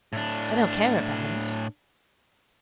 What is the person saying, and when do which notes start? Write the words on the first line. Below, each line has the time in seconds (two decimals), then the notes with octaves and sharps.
I don't care about it.
0.13 A2 D4